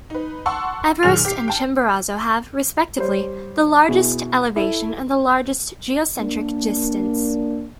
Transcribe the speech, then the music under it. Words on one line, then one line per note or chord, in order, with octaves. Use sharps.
Everest and Chimborazo have, respectively, the largest elevation and the largest geocentric distance.
D#4 B4
F#5 A5 C6 C#6 E6
D#2 A#2 F#3 G#4 F6 F7
G4 C7
G5 A5
G3 C5 C#5
B2 E4 G#4
E4 A4
A#3 D4